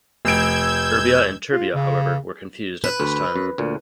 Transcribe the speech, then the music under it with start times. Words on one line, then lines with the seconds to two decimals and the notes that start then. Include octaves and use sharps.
Erbia and terbia, however, were confused at this time.
0.25 F1 E6 G6 G#6 D7
1.52 F4
1.74 C#3
2.84 B4
3.00 D2
3.36 F#2
3.58 D2 A#2